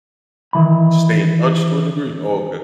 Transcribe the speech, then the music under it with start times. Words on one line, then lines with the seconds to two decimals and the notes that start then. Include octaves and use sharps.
stay in touch, to a degree? Oh, okay.
0.53 D#3 E3 B5